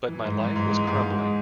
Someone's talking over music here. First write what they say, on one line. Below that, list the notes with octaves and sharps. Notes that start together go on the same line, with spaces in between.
But my life was crumbling.
E3
G#2
E3
G#2
G#3
G#2
G#2
G#3